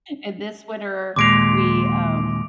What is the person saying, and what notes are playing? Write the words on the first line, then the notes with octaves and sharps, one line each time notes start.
and this winter, we, um
D#2 A#2 G#3 D6 D7 F7